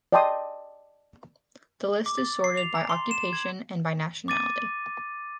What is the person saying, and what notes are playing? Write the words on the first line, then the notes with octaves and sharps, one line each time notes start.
The list is sorted by occupation and by nationality.
D5 D#5 G5 A5 C6 D#6
D6
A6
C7
F7
A#5
C6
E7
G#6
D6 A6 D#7